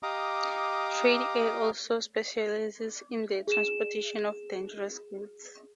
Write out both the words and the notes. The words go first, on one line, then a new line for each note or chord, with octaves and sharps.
Trade Air also specialises in the transportation of dangerous goods.
G4 D#5 F5 A#5 D6 D#6
G#4 E7